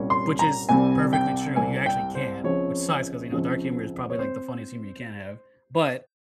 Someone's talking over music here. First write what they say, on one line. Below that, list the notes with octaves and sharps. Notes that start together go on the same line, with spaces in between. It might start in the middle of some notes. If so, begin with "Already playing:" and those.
Which is perfectly true, you actually can't- which sucks 'cause, you know, dark humor is probably, like, the funniest humor you can have. But
Already playing: C2 A#2 G3 C#4
C6
A#5
C2 C3 G3 C4 G#5
G5
C2 C3 G3 C4 G#5
G5
C5
C#2 C#3 F3 C4 C#5
C#2 C#3 F3 C4
C#5
C4 C5